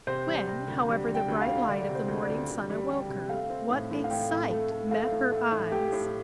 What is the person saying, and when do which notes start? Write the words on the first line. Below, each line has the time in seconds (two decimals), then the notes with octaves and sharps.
When, however the bright light of the morning sun awoke her, what a sight met her eyes!
0.07 C3 C5
0.28 G3
0.47 C3
0.68 D2
0.88 G3
1.07 G3
1.15 G5
1.28 D2
1.41 F5
1.48 D2
1.68 D2 D5
1.88 C3
1.95 C5
2.08 D2
2.22 D5
2.28 D2
2.49 D2
2.70 G3
2.89 G3
3.09 C3
3.29 A3 F5
3.50 C4
3.70 A2
3.91 A2
4.04 F5
4.10 A2 G5
4.31 A2
4.51 A3
4.71 A3
4.91 A3 F5
5.12 A2
5.31 A3
5.51 A2
5.72 A3 G4
5.92 A2